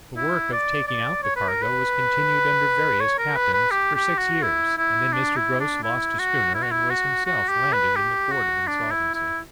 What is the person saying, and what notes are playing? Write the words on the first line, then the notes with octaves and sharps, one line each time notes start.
The work of taking out the cargo was continued under various captains for six years, and then Mr. Grose lost a schooner and was himself landed in the Court of Insolvency.
E4
D5
D5
C#5
B4
A#4
B4
C#5
A#4
B4
B4
G4
G4
F#4
E4
E4
D4
E4
D4
E4
F#4
E4
F#4
E4
F#4
F#4
G4
B4
G4
F#4
D4
E4
E4